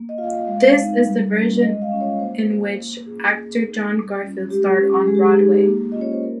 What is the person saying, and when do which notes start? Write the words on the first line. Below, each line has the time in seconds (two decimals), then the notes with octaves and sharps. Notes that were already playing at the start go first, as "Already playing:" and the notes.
This is the version in which actor John Garfield starred on Broadway.
Already playing: A#3
0.09 D#5
0.18 F4 F5
0.47 G#3 F5
0.76 C4 D#4
1.05 G3
1.34 C#4 F4
1.62 G#3 D#5
1.82 F5
1.92 C#4 F4
2.01 C#5
2.19 A#3 C5
2.49 F4
2.78 A#3
3.06 C#4 F4 G#4
3.35 A#3
3.64 D#4
3.92 G3
4.21 C#4 F4
4.50 G#3 G4
4.78 C#4 F4
5.07 G#3 G#4
5.15 G4
5.23 G#4
5.36 D#4
5.65 A#3
5.92 C#4 F4 D#5
6.01 C#5
6.12 C5
6.23 A#3 A#4